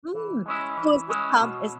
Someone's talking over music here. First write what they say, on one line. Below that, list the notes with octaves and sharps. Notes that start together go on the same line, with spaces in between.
Mm! So is this com is
E3
G#3 C#4 E4
E3
G#3 C#4 E4
B2